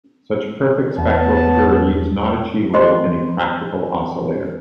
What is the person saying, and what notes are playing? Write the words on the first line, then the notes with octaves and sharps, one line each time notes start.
Such perfect spectral purity is not achievable in a practical oscillator.
E2 B3 C#5 A5
G4 C5 D#5 C6